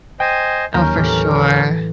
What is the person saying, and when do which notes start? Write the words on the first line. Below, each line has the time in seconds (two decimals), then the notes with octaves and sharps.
Oh, for sure.
0.20 C5 D#5 G5 G#5
0.74 D#2 F#3 C#4 A#4 A#5 G6
0.95 A2 E3 G4